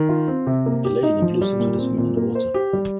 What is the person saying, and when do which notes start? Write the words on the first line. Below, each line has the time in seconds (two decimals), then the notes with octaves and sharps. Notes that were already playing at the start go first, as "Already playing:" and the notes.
A lady in a blue swimsuit is swimming underwater.
Already playing: D#3
0.09 F4
0.28 C4
0.47 C3
0.66 A#3
0.85 G4
1.03 D#4
1.22 F3
1.41 G3
1.60 A#2
1.78 C4
1.98 A#2
2.17 A#3
2.35 C5
2.54 G4
2.73 G3